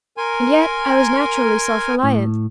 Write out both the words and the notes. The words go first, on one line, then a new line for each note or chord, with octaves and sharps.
And yet I was naturally self-reliant.
A#4 G#5 C6
A2